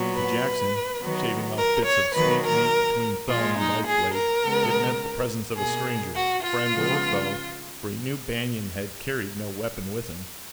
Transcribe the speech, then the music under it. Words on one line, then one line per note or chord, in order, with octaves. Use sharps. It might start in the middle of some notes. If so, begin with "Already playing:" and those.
To Jackson, shaving off bits of sweet meat between thumb and knife blade, it meant the presence of a stranger, friend or foe, for he knew Banion had carried no weapon with him.
Already playing: A#2 F#3 B3
B4
D#3 F#3 B3
A#4
C#5
D#3 F#3 A#3 B4
A#4
A#2 F3 G#3 F4
D#4
G#4
A#4
C#3 G#3 B3
B2 A#3 G#4
F#4
F4
C#3 F3 G#3 B3